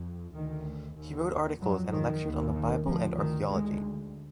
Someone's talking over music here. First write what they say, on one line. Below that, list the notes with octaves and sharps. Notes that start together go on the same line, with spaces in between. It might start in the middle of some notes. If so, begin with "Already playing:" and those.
He wrote articles and lectured on the bible and archeology.
Already playing: F2
D2 D#3
D#2
F2 F#3
D#3
D#2
D#3
D2 F3
D#3
D2 G#3